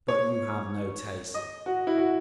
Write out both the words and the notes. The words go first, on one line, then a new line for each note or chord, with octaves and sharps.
But you have no taste!
C#5
D#5
F#4
E4
F#4